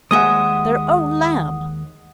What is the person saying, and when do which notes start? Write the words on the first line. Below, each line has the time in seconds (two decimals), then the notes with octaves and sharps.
Their own Lamb!
0.11 D#2 G#3 E5 F#5 D#6